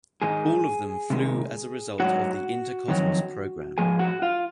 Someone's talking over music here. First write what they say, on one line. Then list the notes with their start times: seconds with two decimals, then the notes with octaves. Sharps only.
All of them flew as a result of the Intercosmos program.
0.22 G#2 D#3 G#3 G#4 G#5
1.10 C3 D#3 G#3
2.00 G#2 D#3 F#3 F#4 F#5
2.88 F2 D#3 F#3
3.78 G#2 F3 G#4 G#5
3.99 F#4 F#5
4.22 F4 F5